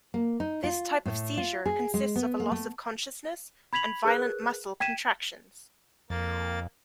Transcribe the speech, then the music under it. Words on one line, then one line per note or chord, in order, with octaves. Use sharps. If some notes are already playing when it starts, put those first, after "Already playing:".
This type of seizure consists of a loss of consciousness and violent muscle contractions.
A#3
D#4
F4
A2
F4
G#4
G#3
B3
A#3
A3
B5 G#6 B6 F7 F#7
G#4 A#4 B4 F#6
G5 G#6 B6 D#7 E7
F2 A#3 A6